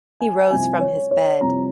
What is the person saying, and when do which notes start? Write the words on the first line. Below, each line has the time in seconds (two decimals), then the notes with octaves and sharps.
He rose from his bed.
0.20 G#5
0.51 C2 C3 F3 G#5
0.81 C#5
1.11 C#5
1.41 C2 C3 F3 A#5